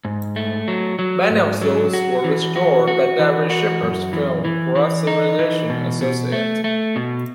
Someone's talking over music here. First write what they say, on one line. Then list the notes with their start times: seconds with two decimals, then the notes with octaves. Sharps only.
Many of those were restored by David Shepard's Film Preservation Associates.
0.05 G#2
0.36 A3
0.68 F#3
0.99 F#3
1.30 G#2
1.62 F#3
1.93 F#4
2.24 E3
2.56 F#4
2.88 F#4
3.19 E3
3.50 F#4
3.81 F#2
4.13 E3
4.45 E3
4.76 E3
5.07 D#4
5.39 E3
5.70 B2
6.01 B2
6.32 A3
6.64 A3
6.96 B2